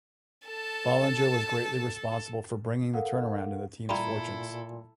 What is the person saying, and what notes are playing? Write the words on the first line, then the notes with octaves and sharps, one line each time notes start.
Bollinger was greatly responsible for bringing the turnaround in the team's fortunes.
A4 A5
A4 A#4 F5 F#5
A#2 G3 E4 F4 A4 A#5 B5